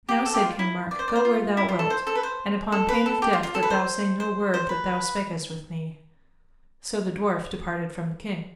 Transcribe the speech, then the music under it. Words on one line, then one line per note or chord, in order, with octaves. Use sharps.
Now, said King Mark, go where thou wilt, and upon pain of death that thou say no word that thou spakest with me; so the dwarf departed from the king.
G4
A4
G4
F4
E4
D5
C5
D5
C5
F4
E4
F4
A4
C5
A4
B4
C5
A4
B4
A4
G4
F4
F4
A4
B4
C5
C5
C5
B4